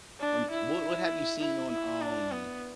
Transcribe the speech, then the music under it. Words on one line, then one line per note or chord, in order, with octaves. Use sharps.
um, what what have you seen on, um,
D4
E4
E4
E4
D4
B3